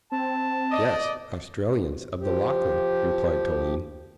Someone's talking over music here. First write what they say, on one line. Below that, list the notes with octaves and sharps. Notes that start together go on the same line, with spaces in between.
"Yes, Australians of the Lachlan," replied Toline.
C4 A5
D5 D#5
F3 G4